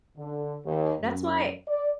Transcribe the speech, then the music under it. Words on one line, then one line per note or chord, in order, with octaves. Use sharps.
That's why
D3
D#2
F#2
D5